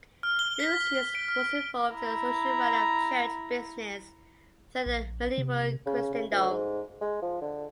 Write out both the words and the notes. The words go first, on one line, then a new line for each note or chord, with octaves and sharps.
Lucius was involved in the usual running of church business throughout medieval Christendom.
F6
G7
B6
D7
F6
E4 A#5
A#1
C3
C#3
C#3
D2
G#2
G#3
F3
D3